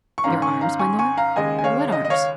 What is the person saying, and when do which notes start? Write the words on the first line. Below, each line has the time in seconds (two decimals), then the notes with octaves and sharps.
"Your arms, my lord--what arms?"
0.18 C#6
0.24 G#2 D#3 C#4 F5 A#5
0.42 G#5 C#6
0.61 F5 A#5
0.79 G#5 C#6
0.99 G#5 C#6
1.17 F5 A#5
1.36 D#2 C#3 G#3 D#5 G#5
1.59 G#5
1.64 C#5 F5
1.92 D#5
2.05 D#5
2.10 C#5 F5